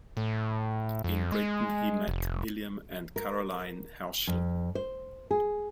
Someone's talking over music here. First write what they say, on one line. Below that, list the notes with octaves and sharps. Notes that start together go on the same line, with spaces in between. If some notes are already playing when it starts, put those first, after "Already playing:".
In Britain he met William and Caroline Herschel.
A2
F2
G#3
F1
A#4
F2
C5
G#4